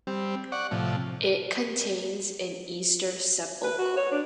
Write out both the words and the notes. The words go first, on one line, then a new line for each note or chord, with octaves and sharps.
It contains an Easter Sepulchre.
G3 C4
D5 F#5 C#6
A2 C3 F3
B4
F#4
C#5
D4